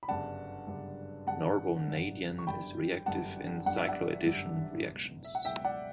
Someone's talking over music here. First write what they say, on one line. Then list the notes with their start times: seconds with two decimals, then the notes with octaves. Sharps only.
Norbornadiene is reactive in cycloaddition reactions.
0.03 B5
0.08 G1 F#2 C#3 G3 D4 F#5 A5
0.67 G1 F#2 C#3 G3 D4
1.27 G1 F#2 C#3 G3 D4 F#5 A5
1.87 G1 F#2 C#3 G3 D4
2.39 C#6
2.47 G1 F#2 D3 G3 G5 B5
3.06 G1 F#2 D3 G3 F#5 A5
3.66 G1 F#2 D3 G3 F#5
3.77 E5
3.89 D5 F#5
4.25 G1 F#2 D3 G3
4.85 C#2 B2 F#3
5.24 E5
5.35 F#5
5.45 C#2 B2 F#3 E5 G5
5.64 D5 F#5